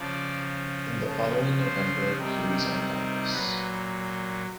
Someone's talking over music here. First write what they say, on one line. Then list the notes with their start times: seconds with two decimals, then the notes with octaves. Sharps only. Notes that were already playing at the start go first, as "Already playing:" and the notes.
In the following November he resigned office.
Already playing: C#3 F3 D5
1.02 C#3 F3
1.60 C5
2.18 C3 D#3 G3
3.32 A#2 F#3 B4